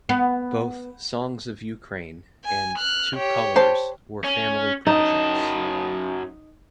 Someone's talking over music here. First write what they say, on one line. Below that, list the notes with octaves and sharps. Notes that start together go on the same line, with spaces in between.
Both "Songs of Ukraine" and "Two Colors" were family projects.
B3
G#5
F6 F#6
G4 C#5
C5 A5
C#4
F#2 D#4 A5